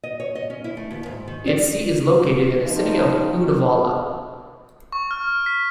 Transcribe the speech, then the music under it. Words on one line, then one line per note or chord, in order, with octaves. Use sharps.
Its seat is located in the city of Uddevalla.
D#5
C#5
D#5
C#4
E4
A3
D#2
G#2
D#3
D5
F3 G3 D#4
C#6
F6
B6